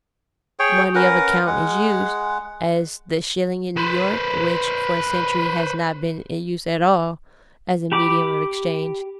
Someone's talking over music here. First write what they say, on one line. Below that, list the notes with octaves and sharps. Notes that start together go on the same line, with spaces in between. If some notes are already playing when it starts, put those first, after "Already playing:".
Money of account is used, as the shilling in New York, which for a century has not been in use at all as a medium of exchange.
G#4 C#5 G5
C#4 A#4 B4 F#5
G#3 F#5
B4 C5
G4 B5 D6